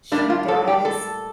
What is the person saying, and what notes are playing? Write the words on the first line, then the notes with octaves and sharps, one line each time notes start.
she does,
A2 G3 A#3 D4
F4
A4
G4
A4